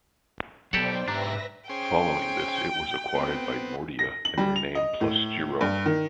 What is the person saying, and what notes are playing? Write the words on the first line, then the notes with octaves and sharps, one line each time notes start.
Following this it was acquired by Nordea and renamed PlusGirot.
F#3 B3 G4 A4 C5 D5 F#5 G5
G#2 D4 G4 B4 E5 A#5 A#6
C#4 G#4 C5 G5
B3 C4
A#6
F#7
G3
F7
D#5
A2
G2
D#3